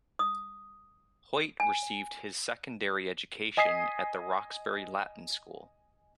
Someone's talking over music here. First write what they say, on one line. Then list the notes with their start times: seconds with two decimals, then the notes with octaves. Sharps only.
Hoyt received his secondary education at The Roxbury Latin School.
0.19 D#6
1.60 G#5
3.57 D#5 G#5 D#6 B6 C7